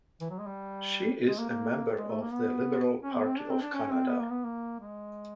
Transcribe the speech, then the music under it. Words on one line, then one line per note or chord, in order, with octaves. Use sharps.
She is a member of the Liberal Party of Canada.
E3
F#3
G#3
G3
G#3
A#3
A#3
G#3
A3
A#3
B3
C#4
B3
C4
D4
C4
D4
C#4
C4
B3
A#3
B3
A#3
G#3